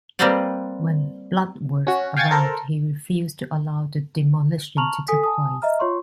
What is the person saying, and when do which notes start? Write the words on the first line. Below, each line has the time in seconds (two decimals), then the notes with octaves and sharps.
When Bloodworth arrived, he refused to allow the demolition to take place.
0.19 G3 A#3 C4 B4 C5 D5
1.87 C#4 F#4
2.17 F5 G5 G#5 C#6 G#6 A6
2.31 A4 A#4 C5
4.77 A5 A#5 C#6 F6 F7 F#7
5.08 A4 G#5 D#6 B6
5.23 G#5 A5 D#6
5.62 D#5 E5 A#5 F6
5.79 F4 C#5 C6 C#6